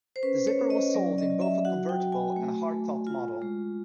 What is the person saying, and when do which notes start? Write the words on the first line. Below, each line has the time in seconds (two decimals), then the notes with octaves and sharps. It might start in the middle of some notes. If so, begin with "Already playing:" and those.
The Zipper was sold in both a convertible and a hardtop model.
0.16 C5
0.23 C#4 B4
0.47 C#5
0.59 C#4
0.70 D#5
0.94 F#3 D5
1.18 D#5
1.30 F#3
1.41 E5
1.65 F#4 F#5
1.89 G5
2.00 F#4
2.12 G#5
2.36 A3
2.71 A3
3.07 F4
3.42 G#3